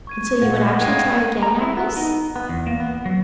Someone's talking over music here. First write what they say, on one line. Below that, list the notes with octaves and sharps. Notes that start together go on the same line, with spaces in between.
'And so you would actually try again, Agnes?'
C#6 G#6 D#7
A#2 F#5
A2 G#3 A#3 G5 A5 G#6 D#7
A#5
E4
B3
D#4
B3
E2
A#3
B3
F#3